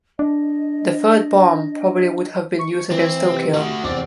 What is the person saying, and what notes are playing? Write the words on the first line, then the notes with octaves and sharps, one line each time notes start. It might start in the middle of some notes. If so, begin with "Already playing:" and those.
The third bomb probably would have been used against Tokyo.
D4 D#5
C#6
E3 C4
C3
A3 F#4
F1 E2 C4 D5